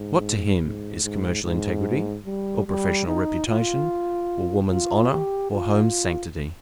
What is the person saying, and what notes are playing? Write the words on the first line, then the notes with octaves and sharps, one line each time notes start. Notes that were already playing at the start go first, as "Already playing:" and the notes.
What to him is commercial integrity, or professional reputation, or woman's honor, or home's sanctity?
Already playing: G#2
G#2
G#2
G#2
G3
G3
D#4
F4
F4
G4
F4